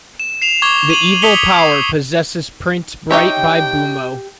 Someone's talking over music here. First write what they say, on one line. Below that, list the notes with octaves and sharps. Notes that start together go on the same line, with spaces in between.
The evil power possesses Prince Bright by Boomo.
E7
C7 E7 F7
C#6 D6 G#6 G7
D#7 F7 F#7
D#6 B6 C#7 F7 G7
C7
D#4 G4 C#5 E5 G5